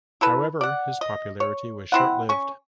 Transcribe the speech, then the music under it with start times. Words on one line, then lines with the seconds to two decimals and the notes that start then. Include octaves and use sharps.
However, his popularity was short lived.
0.21 E4 A4 B4
0.61 D5 F#5
1.01 D#5
1.40 C#5
1.92 C4 E4 F#5
2.29 C#4 C#6